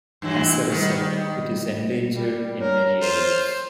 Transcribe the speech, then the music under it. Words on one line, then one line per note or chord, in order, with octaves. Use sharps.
As a result, it is endangered in many areas.
G2 E3 F#3
D#3 G3 B3
G3
A#4 C#5
F4 C5